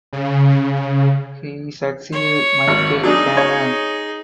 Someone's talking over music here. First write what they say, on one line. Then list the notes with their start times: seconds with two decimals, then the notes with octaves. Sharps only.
He succeeded Michael Gannon.
0.13 C#3
2.12 C#5
2.68 G#1
3.04 F#3 D4 D#4 G#4
3.37 C#5